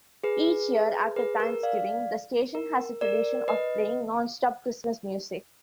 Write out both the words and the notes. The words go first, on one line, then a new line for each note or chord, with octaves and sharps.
Each year after Thanksgiving, the station has a tradition of playing "Non-Stop Christmas Music".
G#4 B4
G#4 B4
A#4
D5 F5
A#4
A#4 D5
B4 D#5